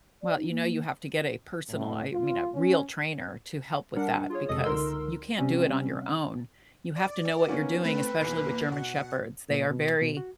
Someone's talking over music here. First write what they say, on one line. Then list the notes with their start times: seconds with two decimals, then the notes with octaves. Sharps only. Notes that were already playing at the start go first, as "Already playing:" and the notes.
Well, you know, you have to get a personal I mean, a real trainer to help with that because you can't do it on your own. You have to know what you're doing, especially with German shepherds. They are very
0.22 D5
0.37 D#4
0.51 A#3
1.70 A2
2.12 F4
2.54 C#4
3.96 G3 D4 A#4 F#5
4.30 F4 G#4 C#5
4.48 F2 C3 G#3 A4 D#5 D#6
4.64 C#2 D3 D#4 A#4 C6 E6
5.38 C3 G3 C4 C#4
6.96 D5
7.48 D#3 A#3 B3 C#4
7.84 A3 C4 B4
8.21 B1 E2 A#3
8.72 B2 F#5
9.50 A#2
9.71 B2
10.01 B2
10.17 F#4